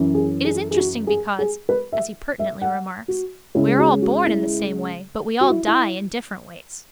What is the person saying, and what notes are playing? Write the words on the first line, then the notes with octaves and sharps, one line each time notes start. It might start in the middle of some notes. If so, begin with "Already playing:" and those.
It is interesting because, as he pertinently remarks, we are all born in the same way but we all die in different ways.
Already playing: F#2 E3 C#4
G#4
G#4
G#4
F#4
G#4
G#4
B4
E5
E5
F#5
F#4
C#2 C#3 G#3 C#4 E4
F#4
F#4
E4
F#4
E4
E4